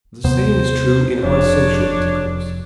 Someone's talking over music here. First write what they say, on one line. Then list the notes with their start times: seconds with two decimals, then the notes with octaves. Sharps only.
The same is true in our social intercourse.
0.24 D#2 C3 B3 C5
1.23 F1 F3 D4 C#5